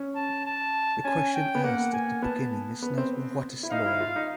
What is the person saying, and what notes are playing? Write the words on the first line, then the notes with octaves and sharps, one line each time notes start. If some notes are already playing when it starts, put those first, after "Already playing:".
The question asked at the beginning is not What is law?
Already playing: C#4
A5
A5
C#4 G#5
G5
B3
A#3 F#5
G#5
B3 A5
B3
C4
E4
D#4 F5
E4
F4
D#4